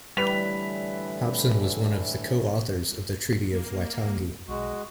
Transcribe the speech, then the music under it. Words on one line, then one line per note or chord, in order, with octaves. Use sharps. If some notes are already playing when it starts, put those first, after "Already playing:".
Hobson was one of the co-authors of the Treaty of Waitangi.
A2 D3 E3 G3 B4 B6 F7
A#3
B1 G#3 F#4